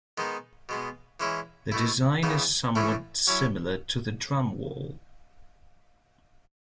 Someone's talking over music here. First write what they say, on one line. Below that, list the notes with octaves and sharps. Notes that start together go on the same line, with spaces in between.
The design is somewhat similar to the drum wall.
D#3 G#3 B3 D#4
B2 G#3 B3
E3 G#3 C#4 E4
B2 A3 E4
C#3 E3 B3 D#4
A2 E3 A3 C#4 E4
F#3 C#4 E4